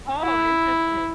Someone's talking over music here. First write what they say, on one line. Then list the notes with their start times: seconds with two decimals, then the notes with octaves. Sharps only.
Oh! Interesting.
0.22 E4